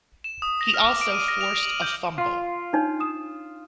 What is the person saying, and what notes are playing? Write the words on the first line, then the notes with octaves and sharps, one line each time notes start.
He also forced a fumble.
E7
D#6
A#6
F6
D6
D7
D#7
A#6
F7
F#7
G6
F4 F5 C6
D4 D#4 C#5
D#6 E7